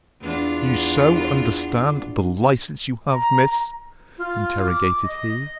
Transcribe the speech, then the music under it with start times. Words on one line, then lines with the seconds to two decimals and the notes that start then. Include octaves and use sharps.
Do you so understand the license you have, Miss? interrogated he.
0.20 E2 D4 F4
3.11 A#5
4.18 F4
4.66 D6
5.04 D#5